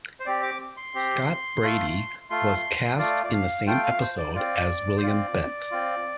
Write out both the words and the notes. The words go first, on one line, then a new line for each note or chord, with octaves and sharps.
Scott Brady was cast in the same episode as William Bent.
C5
C4 G4 D5
D6
C6
C4 G4
A3 F4
A3 F4 C6
A3 F4 D5
D5
F5
A3 F4 G5
F5
C5
D5
C4 F4 D5
C5
C4 F4 D5
C4 F4